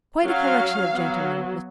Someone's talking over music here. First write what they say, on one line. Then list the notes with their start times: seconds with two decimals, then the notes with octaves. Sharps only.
Quite a collection of gentlemen--Mr.
0.25 F#3 C#4 F5
0.93 F#3 B3